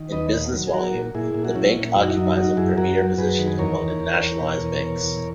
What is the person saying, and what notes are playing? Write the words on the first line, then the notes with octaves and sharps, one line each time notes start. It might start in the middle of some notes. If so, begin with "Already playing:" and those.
In business volume, the Bank occupies a premier position among the nationalised banks.
Already playing: D#3
D#2 B4 D#5
A#2
F#3
G#4
F#3 F#4 A#4
A#2
A#2 E4 G#4
A#2
F#4
F#3 C#4 E4
A#2
F#2 D#4 F#4
E4
F#3 D#4
F#3 D#4 F#4
F#2 E4 G#4
F#2 F#4 A#4
F#3
F#2 G#4 B4
D#3
E2 A#4 C#5
E2
E2
E2
B2
E2
B2
E2